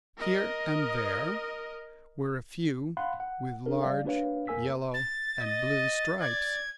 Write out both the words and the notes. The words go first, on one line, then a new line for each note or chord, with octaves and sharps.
Here and there were a few with large yellow and blue stripes.
A#4 D#5
F5 F#5 B5 C6 F#6
F#5
D4 A4 A#4
G3 D5 F5
A#3 D4 F#4 B4 C#5 F5
F2 A#3 A#4 G#5 E6 B6
A6
D#5
D5 G#6